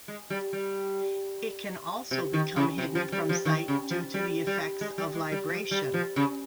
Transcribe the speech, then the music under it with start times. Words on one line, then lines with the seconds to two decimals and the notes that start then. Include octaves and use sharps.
It can also become hidden from sight due to the effects of libration.
0.08 G#3
0.30 G3
0.53 G3
2.11 C3
2.33 D#3
2.56 C#3
2.78 C3
2.95 F3
3.12 G3
3.29 F3
3.45 D#3
3.68 C#3
3.91 F3
4.14 G3
4.47 G3
4.81 G#3
4.98 G3
5.15 G#3
5.32 G3
5.49 F3
5.71 G3
5.94 F3
6.16 C#3